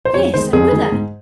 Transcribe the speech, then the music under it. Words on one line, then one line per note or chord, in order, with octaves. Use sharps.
Yes, and whither?
C5
F2 C#5
D#3 G#3 C5
F2 G#4
D#3 G#3
G#2